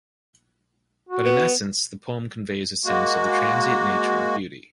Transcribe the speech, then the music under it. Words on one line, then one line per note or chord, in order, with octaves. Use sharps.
But in essence the poem conveys a sense of the transient nature of beauty.
F#4
B3
G#3 A#3 F#4